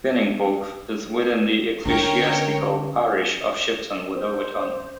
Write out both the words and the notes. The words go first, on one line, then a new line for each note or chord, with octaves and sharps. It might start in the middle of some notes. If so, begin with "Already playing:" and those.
Beningbrough is within the ecclesiastical parish of Shipton with Overton.
D3 C#4 A#4 C#5 G5
C5